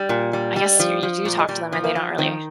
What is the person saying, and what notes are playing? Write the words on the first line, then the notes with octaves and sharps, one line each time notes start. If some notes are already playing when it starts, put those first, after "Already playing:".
I guess you you do talk to them and they don't really
Already playing: G3
A#2
G3
G3
F3
F3
A#2
G#3
A#2 G3
F3
A#3
F3
D#3 C4